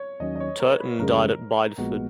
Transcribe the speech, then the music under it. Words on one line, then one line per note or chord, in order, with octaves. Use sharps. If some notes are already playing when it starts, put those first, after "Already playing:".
Turton died at Bideford.
Already playing: C#5
D#2 D#3 F#3 C#4 D#5
D#5
C#5
A#4
B4
F#2 C#3 G#3 A#4
A#1 A#2 G#3 B3 F#4